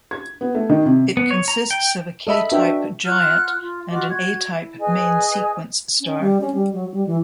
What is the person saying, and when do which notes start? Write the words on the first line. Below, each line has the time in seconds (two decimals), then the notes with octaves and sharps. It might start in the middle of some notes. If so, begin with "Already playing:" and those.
It consists of a K-type giant and an A-type main-sequence star.
0.11 G#6
0.41 B3
0.55 A3
0.69 D#3
0.86 C3
1.17 B3
1.31 C#5
1.48 A#5
1.71 G5
2.27 A4 D#5 E5 B5
2.52 D4 F#4 B4 E5 G5
3.05 F4 F#5 F6 F#6
3.61 F4
3.91 F4 F#4 D#5 D6
4.11 F#4 G#6
4.49 E4
4.79 G#4 B4 D#5 G#5
6.01 C#4
6.20 G3
6.41 C#4
6.55 G3
6.74 F#3
6.93 G3
7.07 E3